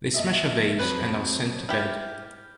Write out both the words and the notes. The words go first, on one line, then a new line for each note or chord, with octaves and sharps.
They smash a vase and are sent to bed.
A#1 D#5 E5
F2 F#3 B4
E4 G4 F6